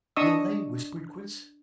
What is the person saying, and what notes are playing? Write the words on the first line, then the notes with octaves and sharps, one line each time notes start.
"Will they?" whispered Chris.
D4 D#5 C#6 D#6 E6